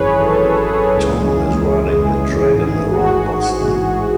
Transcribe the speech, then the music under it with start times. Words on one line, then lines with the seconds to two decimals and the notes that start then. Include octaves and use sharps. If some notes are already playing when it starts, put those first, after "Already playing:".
Tom is riding a dragon around Boston.
Already playing: G#1 F#2 E3 G#4 B4 C#5
0.18 G#1 F#2 E3 A4
0.57 G#4
0.96 C#2 C#3 E3 G#3
1.74 C#2 C#3 E3 G#3
2.52 A1 G#2 E3 G#4
2.91 F#4
3.30 A1 G#2 E3